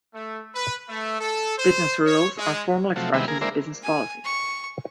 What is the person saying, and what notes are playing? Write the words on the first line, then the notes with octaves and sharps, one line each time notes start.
Business rules are formal expressions of business policy.
A3
B4
A3
A4
C5
C#5
G#3
C3 F3 F#3 A3
C3 D#3 G3 G#3 B3 E4
A#3 G#4 A#4
G#3 A#3 D4 E4 A#4 C5
G#5
C#6